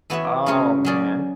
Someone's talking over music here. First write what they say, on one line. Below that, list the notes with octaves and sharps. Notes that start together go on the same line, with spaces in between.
Oh, man.
E3 B3 F#4 C#5 E5
C#3 G#3 C#4 G#4 C#5
F#3 C#4 G#4 D5